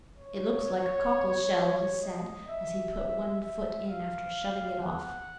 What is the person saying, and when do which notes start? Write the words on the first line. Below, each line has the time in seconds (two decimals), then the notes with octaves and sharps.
"It looks like a cockle-shell," he said, as he put one foot in after shoving it off.
0.17 C#5
2.02 D#5
2.48 E5
2.95 E5
3.41 E5
3.88 F5
4.81 F#5